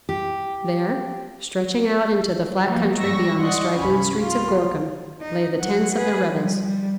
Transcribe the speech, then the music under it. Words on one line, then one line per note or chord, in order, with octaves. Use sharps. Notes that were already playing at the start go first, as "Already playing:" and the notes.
There, stretching out into the flat country beyond the straggling streets of Gorkum, lay the tents of the rebels.
G4
F3 A#3 B3 D#4 F#4 G4
C#2 G2 G3 C#6 E6 A#6
D5 D#5 F#5 C6 C#6
C2 G2 C#4 G#5 B5
F4
D#4
F#3 F#5
G#4 B4
F3 G3
G3